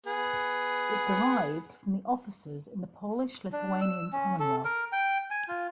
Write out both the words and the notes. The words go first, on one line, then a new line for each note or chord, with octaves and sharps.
It derived from the offices in the Polish-Lithuanian Commonwealth.
B3 G#4
D4
E6
C#4
A4
A#4
G5
G#5
F4